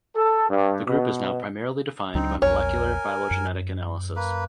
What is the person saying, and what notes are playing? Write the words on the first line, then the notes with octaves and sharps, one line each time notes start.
The group is now primarily defined by molecular phylogenetic analysis.
A4
G2
B2
C#2 F#3 C4 D4 D#4
A#1 E2 A#4 C#5 G#5
F#2
A#3 B4